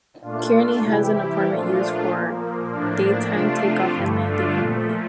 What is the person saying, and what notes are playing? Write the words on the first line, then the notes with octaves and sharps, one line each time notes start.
Kearny has an airport used for daytime take off and landing only.
A#2 A3 D4 F4
C3 E3 G3 E4 G4
A#2 F3 A3 D4 F4
A#2 F3 A#3
A2 F3 A#3 D4
C3 F3 A3 D4 F4
G2 D3 A3 E4 G4
D4 F4
A#2 F3 A3 C4